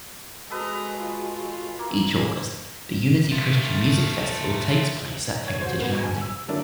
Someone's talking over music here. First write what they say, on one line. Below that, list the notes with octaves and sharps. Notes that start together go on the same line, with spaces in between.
Each August, the Unity Christian Music Festival takes place at Heritage Landing.
G#3 F#4 A4 B4 D#5 A#5
F4
A#3 E4
A3 F4
C#5 G#6
F#4 C5
A#3 B3 F#4
D2 G#5
E6
D3 F#3 A#3 D4 E4